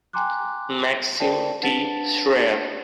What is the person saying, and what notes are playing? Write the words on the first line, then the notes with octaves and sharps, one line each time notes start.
Maxim D. Shrayer.
G5 G#5 A#5 C6 D6 F#6
A#4 C5 D5 G5 A5
D4 B4 F#5 A5 A6 B6